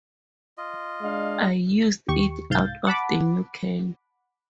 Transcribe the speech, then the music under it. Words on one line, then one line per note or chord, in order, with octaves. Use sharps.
I used it out of the new can.
F4 D#5
G#3 D4 F5
D#2 G4 C#6
C2 G#2 F5 G6 A6
F#5 A5 B5 D6